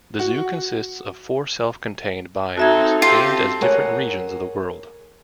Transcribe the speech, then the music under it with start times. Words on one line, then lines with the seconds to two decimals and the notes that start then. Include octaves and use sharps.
The zoo consists of four self-contained biomes themed as different regions of the world.
0.19 F#4
2.57 C4 D#4 F#4 A4 E5 G#6
3.02 C4 F4 G4
3.61 G#4 A#4 C#5 F#5